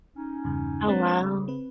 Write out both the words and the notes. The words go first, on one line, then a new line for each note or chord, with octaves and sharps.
Oh, wow.
C#4 D#4
E2 G2 C#3
G#3 C4 D4 B4 C#5 A5
C#3
C4 B4